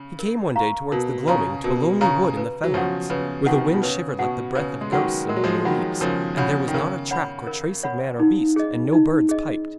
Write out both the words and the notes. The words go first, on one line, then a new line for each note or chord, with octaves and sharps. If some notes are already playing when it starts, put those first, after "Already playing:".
He came one day towards the gloaming to a lonely wood in the fenlands, where the wind shivered like the breath of ghosts among the leaves, and there was not a track or trace of man or beast, and no birds piped.
Already playing: C#3
A#4
F5 A#5 C#6
B2 A#4
C#3 F5 A#5 C#6
B2 A#4
C#3 F5 A#5 C#6
B4
F#3
C#3 F3 F#5 C#6
C#3 B4
B2 D#3 F#5 C#6
B2
C#3 B4
B2 F#5
C#6
C#3 B4
G#3
D#3 F#3 F#5 C#6
G#3 A#4
F#3
F3 G#3
D#3 F#3 C#5 F#5 B5
C#3 F3 A#4
C#3 C#5 F#5 B5
D#3
C#3 A#4
C#5 F#5 B5
A#4
C#5 F#5 B5
D#4
G#4 D#5
D#4
G#4 D#5